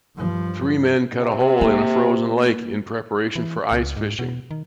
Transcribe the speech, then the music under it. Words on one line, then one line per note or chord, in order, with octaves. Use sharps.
Three men cut a hole in a frozen lake in preparation for ice fishing.
G2 F3
C3
A#3
E3
C#2
G#2
B2
D#3